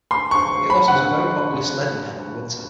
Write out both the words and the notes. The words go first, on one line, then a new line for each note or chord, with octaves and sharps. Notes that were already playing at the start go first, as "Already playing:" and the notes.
It also has a very popular sledding hill in the winter.
C6
C#6
B5
F#5